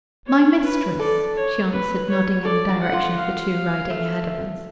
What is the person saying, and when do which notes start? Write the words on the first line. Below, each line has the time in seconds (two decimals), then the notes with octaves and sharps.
"My mistress," she answered, nodding in the direction of the two riding ahead of us.
0.27 C#5
0.63 B4
0.99 A4 D5
1.35 C#5
1.72 B4
2.09 C#5
2.44 A4 D5
2.69 F#4
2.81 F#5
2.93 F4
3.18 F5
3.90 A3